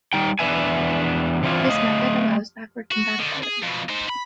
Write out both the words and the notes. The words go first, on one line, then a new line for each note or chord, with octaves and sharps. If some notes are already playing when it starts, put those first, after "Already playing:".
This method allows backward compatibility.
G3 D#4 G5
E2 D4 B4 E5 G#5
E3 C4 D4 E4 F4
A3 D#5 F5
F#4
D3 D#3
G#4
F2 B2
D#4 C5
B5